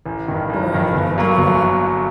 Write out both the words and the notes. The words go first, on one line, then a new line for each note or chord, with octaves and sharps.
for you to do that,
A1
G2 D#3
A1
G2 D#3
G1
G2 F#3 A#3
G1